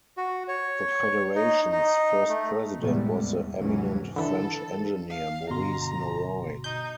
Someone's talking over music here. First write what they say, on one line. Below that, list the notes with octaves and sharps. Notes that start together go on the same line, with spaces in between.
The federation's first president was the eminent French engineer, Maurice Norroy.
F#4
C#5
D#4
D#4
A3
A2 C3 G3 G#3 B3
E2
D#2 G#2 C3 E3 F#3 C#4
D3 E3 A4
F5
G1 B2 A#5 C6
D#4 G6